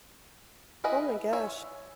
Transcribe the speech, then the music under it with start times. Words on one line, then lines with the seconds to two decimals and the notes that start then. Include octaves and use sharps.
Oh my gosh.
0.84 E4 G#4 B4 D#5
1.33 C#5 E5 G#5